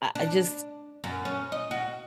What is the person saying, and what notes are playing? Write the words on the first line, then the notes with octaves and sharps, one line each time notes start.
I I just
D4
F#2
C#4
D#5
F#4